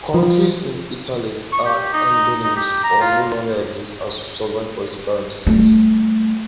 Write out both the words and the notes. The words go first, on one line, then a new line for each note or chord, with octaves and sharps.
Countries in "italics" are endonyms or no longer exist as sovereign political entities.
F3
C#6
G4
D#4
D#4
G4
A#5
F4
G3 A3